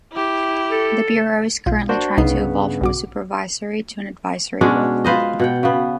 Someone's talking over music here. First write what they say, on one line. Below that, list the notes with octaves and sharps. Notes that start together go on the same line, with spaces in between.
The Bureau is currently trying to evolve from a supervisory to an advisory role.
E4 G4
A4
B1 F4
A#3 D4 F#4 C5
C2 G2 C#3 B3 D#4 C7
B1 F#4 D6
B2 G#3 C#4 D4
F4 B4 C5 D#5
B2 F#5 G5
C#3 B3